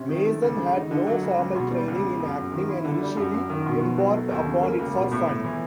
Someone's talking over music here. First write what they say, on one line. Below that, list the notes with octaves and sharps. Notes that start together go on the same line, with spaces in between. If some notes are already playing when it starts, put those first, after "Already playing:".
Mason had no formal training in acting and initially embarked upon it for fun.
Already playing: C3 C#4
D#3
A3
C#2
C#3
D#4
D3
F#3
C#2
C#2
B2
G3
C#2
C#3
F#2
F#2
D#3
E4
D3
G3
F#2
F#2
D#3
B2
B2
F#3
A3
D#2
C#3
A#3
C#2
B2
A2
A2
E3